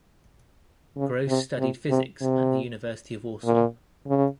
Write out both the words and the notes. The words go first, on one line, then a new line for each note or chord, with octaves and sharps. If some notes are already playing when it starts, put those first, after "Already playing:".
Gross studied physics at the University of Warsaw.
C#3
C3
C3
C3
C3
A#2
C#3